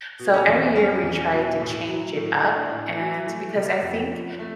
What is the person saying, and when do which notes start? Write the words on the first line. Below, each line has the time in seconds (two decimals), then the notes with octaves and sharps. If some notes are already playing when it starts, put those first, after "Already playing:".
So, every year we try to change it up. And because I think
0.19 B2
0.34 C#4
0.47 E2
0.75 G3 C#4
1.03 E2
1.32 B2
1.59 A2
1.87 F#3
2.15 A2
2.43 A3 D4
2.71 A2
3.00 F#3
3.27 A3
3.55 C3
3.82 F2
4.11 F3
4.39 A3